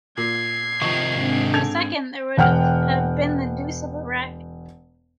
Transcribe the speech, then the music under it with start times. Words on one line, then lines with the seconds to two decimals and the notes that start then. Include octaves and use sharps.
In a second there would have been the deuce of a wreck.
0.17 A#2 G#6 C7
0.82 C3 D#3 F3 D#4 C#6
1.16 G#2 C4 D4
1.53 A4 G#6 F7
2.37 E1 F#5 G5 F6